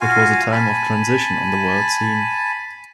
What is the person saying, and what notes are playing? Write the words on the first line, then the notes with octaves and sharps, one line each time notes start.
It was a time of transition on the world scene.
F4 F#4 F5 G#5
G#5 A5 B5